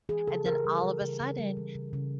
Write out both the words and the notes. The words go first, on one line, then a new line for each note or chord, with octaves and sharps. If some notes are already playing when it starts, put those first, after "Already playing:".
And then all of a sudden,
E3 G#4
C#3 A4
C#3 A#4
G3
E3
C#3
C#3
G3
E3
C#3
C#3